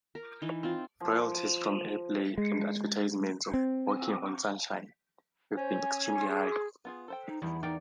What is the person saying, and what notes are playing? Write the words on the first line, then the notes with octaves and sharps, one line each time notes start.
Royalties from airplay and advertisements of "Walking on Sunshine" have been extremely high.
A#4
E3 D#4
C4 F4
F3
G#3
C4
C#4 C5
G#5
G#4
B3 F4 G#4
A4 C5 G5
D#4
E2 G3 C4 D#4 E4
D#4 A#4 D5 G5